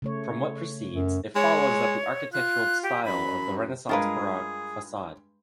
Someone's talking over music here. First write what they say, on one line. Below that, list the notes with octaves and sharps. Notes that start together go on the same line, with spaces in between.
From what proceeds, it follows that the architectural style of the renaissance baroque facade.
C#3 A3 C#5
F#2
G#3 C#5
F4 F#6
G4
F#2 B5
G2 G#3 F4 G#4 A#4 B4 F5